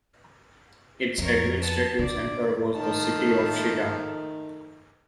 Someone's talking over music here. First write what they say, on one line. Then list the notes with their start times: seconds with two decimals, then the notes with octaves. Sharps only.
Its administrative center was the city of Chita.
1.18 F2 A#4 C#5
1.61 B3 A5
1.99 D3 D5
2.75 D#3 F3 A3 A5